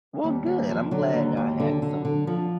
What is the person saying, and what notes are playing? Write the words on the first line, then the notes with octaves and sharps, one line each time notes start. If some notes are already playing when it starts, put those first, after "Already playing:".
Well, good, I'm glad I had some,
D#2 G3
D#2
F3
D3 F#3
D#2
D#2
D3
D3
D3
D3 F3